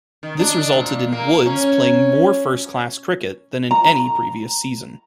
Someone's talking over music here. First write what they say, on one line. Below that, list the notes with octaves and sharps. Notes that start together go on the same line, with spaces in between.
This resulted in Woods playing more first-class cricket than in any previous season.
D#3
D4
A#2
A#3
C#4
A#5